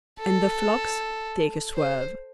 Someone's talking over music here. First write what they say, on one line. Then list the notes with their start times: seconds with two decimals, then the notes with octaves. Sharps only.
And the flocks take a swerve.
0.20 A4
1.75 C5